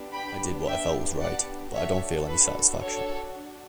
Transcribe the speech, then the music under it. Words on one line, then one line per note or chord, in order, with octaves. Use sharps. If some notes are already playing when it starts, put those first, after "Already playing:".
I did what I felt was right, but I don't feel any satisfaction.
Already playing: B3 D4 G4
G5 B5
E5 G5
D5 F#5
D4 F#4 A4 C#5 E5
B4
A4 C#5